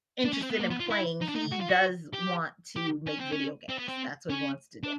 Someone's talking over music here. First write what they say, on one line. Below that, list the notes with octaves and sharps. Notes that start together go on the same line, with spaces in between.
interested in playing. He does want to make video games. That's what he wants to do,
D4
C#4
C4
B3
A#3
B3
F4
E4
D#4
D4
D#4
F#4
F4
F#4
G4
G4
C#4
C4
C#4
C4
B3
C4
C#4
D4